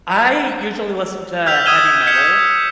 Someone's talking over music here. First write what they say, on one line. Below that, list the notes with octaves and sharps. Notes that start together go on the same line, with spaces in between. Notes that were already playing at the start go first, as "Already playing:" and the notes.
I usually listen to heavy metal.
E6 F6 G6 B6 F7
D#6 E6 G#6 D#7 E7 G7
G6 G#6 B6 C#7 G7